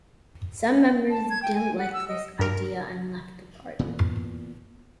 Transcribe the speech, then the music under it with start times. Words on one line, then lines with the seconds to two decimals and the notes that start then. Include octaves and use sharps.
Some members didn't like this idea and left the party.
1.10 A5
1.30 G#6
1.43 G5
1.54 G#5
1.78 F#5
1.93 E6
2.08 D#5
2.39 G2 A#4
3.79 A#2 E3 B3